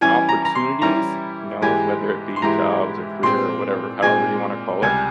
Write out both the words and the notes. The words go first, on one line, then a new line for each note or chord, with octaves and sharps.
opportunities, you know, whether it be jobs or career or whatever however you wanna call it,
E3 G3 C#4 E4 G#5
A#5
A#5
C6
E3 G3 C#4 E4 A#5
G#2 E3 G#3 E4 G4 G#5
C6
G#2 E3 G#3 E4 G4 A#5
A#2 G#3 C4 C6
A#2 G#3 C4 G#5
C#2 C3 G3 G#5